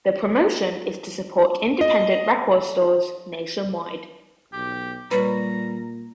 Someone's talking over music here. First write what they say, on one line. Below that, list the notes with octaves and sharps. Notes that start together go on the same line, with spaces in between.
The promotion is to support independent record stores nationwide.
D#5
B1 G4
A#2 G3 B4 C#5 A#5